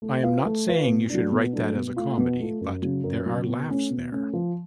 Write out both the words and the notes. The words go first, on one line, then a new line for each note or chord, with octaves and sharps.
I am not saying you should write that as a comedy, but there are laughs there"".
A3
F4 B4 F5
A3
F4 B4 F5
B2
F#3 A3 D4
B2
F#3 A3 D4
B2
A3 F4
B2
A3 F4
F#2
C#3 F#3
F#2
C#3 F#3
B2
A3 C#4
B2
A3 C#4
F3